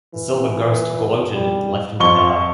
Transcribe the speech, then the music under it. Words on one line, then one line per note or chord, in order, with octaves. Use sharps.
The Silver Ghost gloated and left him to die.
E3
G3
F2 F4 C#6 G7